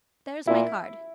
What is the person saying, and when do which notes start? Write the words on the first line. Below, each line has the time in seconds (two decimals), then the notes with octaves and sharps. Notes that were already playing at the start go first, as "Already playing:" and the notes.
There's my card.
0.47 A#2 E4